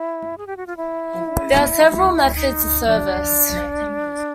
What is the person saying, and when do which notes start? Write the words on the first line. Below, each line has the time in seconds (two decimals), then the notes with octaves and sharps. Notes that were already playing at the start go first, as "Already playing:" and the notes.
There are several methods of service.
Already playing: E4
0.38 G#4
0.47 G4
0.57 F#4
0.67 F4
0.77 E4
2.35 D#4
2.87 D4